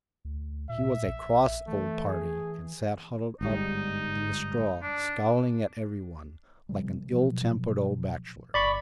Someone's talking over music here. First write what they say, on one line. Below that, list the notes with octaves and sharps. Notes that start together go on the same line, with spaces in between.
He was a cross old party, and sat huddled up in the straw, scowling at every one, like an ill-tempered old bachelor.
D2
A#2 E5
A#1
E3 A3
G#4
G1 G#2 G3 D#4
D4
C3 F3 G3
B2 F3 F#3
G1 D5 B5 C#6